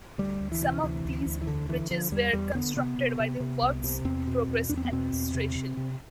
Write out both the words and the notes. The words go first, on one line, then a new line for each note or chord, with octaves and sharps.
Some of these bridges were constructed by the Works Progress Administration.
D2 G3
D2
E3
C3
D2 E3
D2
D2
E3
E2 D3
D3 E3
D3 F3
E2 G3
E2 G3
D3 B3
C3 B3
C3
C3
C3
C2
C3
E2 C4
B2
E2
E2 D4
C4
B3
B2 C4
E2
C3
C3
C3